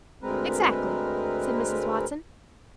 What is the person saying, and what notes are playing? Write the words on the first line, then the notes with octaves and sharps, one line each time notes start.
"Exactly," said Mrs. Watson.
D2 G#3 C4 A#4 B4